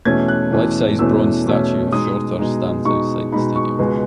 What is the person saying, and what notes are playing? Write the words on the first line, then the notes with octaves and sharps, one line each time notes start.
A life-size bronze statue of Shorter stands outside the stadium.
E2 B2 A3 C#4 G#6
F#6
E2 B2 A3 C#4
E2 B2 A3 C#4 E6
E2 B2 A3 C#4
B2 G#3 D#4 D#6
B2 G#3 D#4
B2 G#3 D#4 C#6
B2 G#3 D#4 B5
C#6
C#2 B2 G#3 B3